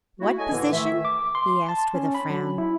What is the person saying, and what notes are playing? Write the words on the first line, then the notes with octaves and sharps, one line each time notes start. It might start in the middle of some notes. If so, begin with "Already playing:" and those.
"What position?" he asked, with a frown.
A3 A#3 E4 F#4
G#4 A4 C#5 D#5 G#5
A2 D3 E3
D#3 A3 E5
D6
C6
A5
C#4
B5
F#3
E4